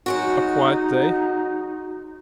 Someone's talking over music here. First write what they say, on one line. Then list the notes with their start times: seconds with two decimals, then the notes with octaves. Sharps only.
A quiet day.
0.06 F#3 G#3 D#4 F#4